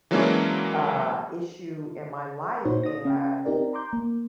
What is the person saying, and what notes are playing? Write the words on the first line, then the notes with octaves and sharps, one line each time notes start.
uh, issue in my life, and
E3 F#3 G#3 A#3 C#4 D4
A#2 D#4 F#4 C5 C#5
D#6 A#6
C#4 F5 G5
C4 D#4 G4 A#4 D5
A#5 C6 D6 G6
A#3